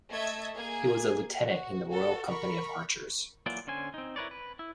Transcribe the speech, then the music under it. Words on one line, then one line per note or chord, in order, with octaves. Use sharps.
He was a Lieutenant in the Royal Company of Archers.
A3 D#5 E5 A5 G#6
A#3 G#4 G#6
F#4
F#4 A4
A#4 B5 C#6
E3 F#3 A#3 F4 D5
D3 C#4 C5 G#5
C4 D#4
E4 A#4 B4 C#5 D5
B4
E4